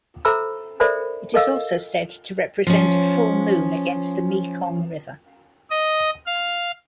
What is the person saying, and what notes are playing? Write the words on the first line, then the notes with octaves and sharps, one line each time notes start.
It is also said to represent a full moon against the Mekong River.
A4 C5 E5 A#5 B5 E6
A4 A#4 C5 D5 E5 B5
A4 A#4 D#5 F5 E6
F3 C#4
D#5
F5